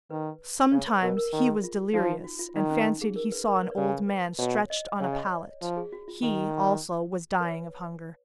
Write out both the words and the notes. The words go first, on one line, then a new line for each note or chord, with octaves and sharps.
Sometimes he was delirious, and fancied he saw an old man stretched on a pallet; he, also, was dying of hunger.
D#3 B4
C#3 C#5
B4
B4
B2 A#4
A#4
D#3
G#4
F4
F3 D#4
F4
F#4
F4
D#3 D#4
C#4
D#4
G#4
A#4
B4
A#4
B4
C#5
C#3 B4
B4
B2 C#5
D#5
C#3 C#5
D#5
C#5
F3
G#4
F#4
F4
D#3
B4
C#5